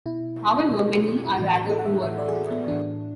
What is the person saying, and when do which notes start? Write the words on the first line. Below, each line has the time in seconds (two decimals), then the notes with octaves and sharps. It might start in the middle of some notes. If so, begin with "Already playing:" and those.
However, many are rather poor.
0.06 B2 E4
0.71 B2
1.25 E4
1.37 A2 E3 F#4
1.53 F#4
1.69 A4
1.79 F#5
1.85 E5
2.02 A2 E3 E5
2.18 D5
2.28 G#4
2.35 F#4
2.51 B3
2.67 A2 E3 D4